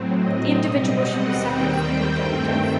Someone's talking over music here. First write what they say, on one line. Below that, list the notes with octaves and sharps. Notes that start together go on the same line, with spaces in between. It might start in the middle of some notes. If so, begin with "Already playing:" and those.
The individual should be separate from the objective.
Already playing: A2 F#3 C4
D#5
B2 G3 C4 D#5
F#5
D#2 D#3 G3 C4 G5
G2 D#3 A3 C4